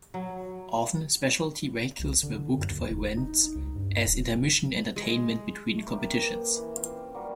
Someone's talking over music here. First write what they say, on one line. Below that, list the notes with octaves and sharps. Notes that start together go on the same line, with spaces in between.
Often, specialty vehicles were booked for events as intermission entertainment between competitions.
F#3
C2
D3
D3
F#2
D#2
F1
D#4
C#2
G2
D1
G#3
A3
A#3 C#4 G4 B4
G4 E5
E3
C4 F4
F#3 G3 A#3 F#4